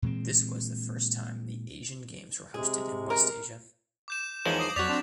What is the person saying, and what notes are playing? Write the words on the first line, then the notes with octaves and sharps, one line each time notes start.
This was the first time the Asian Games were hosted in West Asia.
A#2 E3 G#3 C4
C3 G#3 G#4
A#4
D6 G6 E7
E2 D#3 F3 G#3 C#5 A#6 D#7 F#7
D6 D#6 C7
F2 F#3 F#4 D5 A6 B6 F7
C4 D4 F7